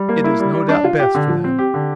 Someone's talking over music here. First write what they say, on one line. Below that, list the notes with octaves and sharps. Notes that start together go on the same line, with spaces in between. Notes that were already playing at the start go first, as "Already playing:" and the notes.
It is no doubt best for them.
Already playing: G3
A#3
E4
G3
G3
D4
F4
G4
D3
F3
C4
G4
D3